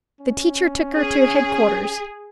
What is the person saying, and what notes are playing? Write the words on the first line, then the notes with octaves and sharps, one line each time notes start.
The teacher took her to headquarters.
C#4
G#4